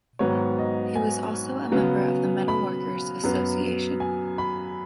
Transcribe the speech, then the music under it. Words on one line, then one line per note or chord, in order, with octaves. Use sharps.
He was also a member of the metalworkers' association.
G#2 D#3 F#3 B3 C#5
D#5
G#5
C#3 F#3 B3
B5
F#2 F#3 B3
G#5
B5